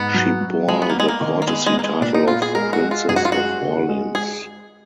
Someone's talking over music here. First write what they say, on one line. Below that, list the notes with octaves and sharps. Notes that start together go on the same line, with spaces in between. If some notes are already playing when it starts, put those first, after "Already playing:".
She bore the courtesy title of Princess of Orleans.
Already playing: G#2 B3
F#3
F#3
F#3 G#3
B3
A#3
G#3 B3
A#3
D#3
A#3
G#3 B3
G#3
A#3 B3
G#3
A#2 D4
D#4
B3 F4
G#4
G#3 A#4
F#4
G#3
F4
F#2 G#4
F#4
F4
G#3 F#4
D3
G#3
G#3 G#4